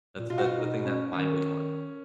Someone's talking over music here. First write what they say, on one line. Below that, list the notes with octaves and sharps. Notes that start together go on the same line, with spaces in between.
That's that's I think that's my big one.
A#2
B2 F4
F#4
F4
D#4
C#4
D#3 C#4